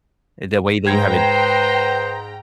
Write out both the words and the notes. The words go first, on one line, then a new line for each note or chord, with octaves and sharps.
The way that you have it
G#2 B4 C5 G5 A#5 G#6